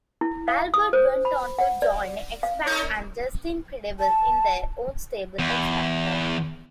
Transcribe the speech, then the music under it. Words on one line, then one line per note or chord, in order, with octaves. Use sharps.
Albert went on to join X-Pac and Justin Credible in their own stable, X-Factor.
E4
F5
D#6
C5
B5
F#5
D5
F5
A5
E2